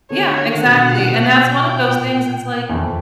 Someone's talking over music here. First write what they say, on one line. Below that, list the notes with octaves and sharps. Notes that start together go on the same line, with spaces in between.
Yeah. Exactly. And that's one of those things, it's like,
D3 C#5
D#3
D3 F#5
B2
B2
A#2
B2
B2
G5
A#2
E2
F2